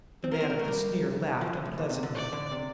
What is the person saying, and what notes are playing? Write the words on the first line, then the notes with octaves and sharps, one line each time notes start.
The man of the sneer laughed unpleasantly.
C4
A#3 A#4
C4
A#3
A3
G3
F3
D3
A2
A#2
C3
D3
D5
D3
C3